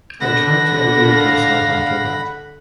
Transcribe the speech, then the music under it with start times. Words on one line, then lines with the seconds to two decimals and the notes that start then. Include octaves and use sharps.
I try to emulate myself after that.
0.21 D3 D4 F#5 B5 A#6
0.93 F5